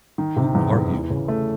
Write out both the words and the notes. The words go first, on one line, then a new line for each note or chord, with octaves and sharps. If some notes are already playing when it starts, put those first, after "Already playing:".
Who are you?
D#3
C3
E2
E2
E3
C#3
A3